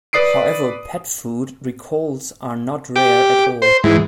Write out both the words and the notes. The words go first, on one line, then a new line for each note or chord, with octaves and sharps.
However pet food recalls are not rare at all.
B4 D5 D#6 C7 D7
G4 D6
C5
G#2 E3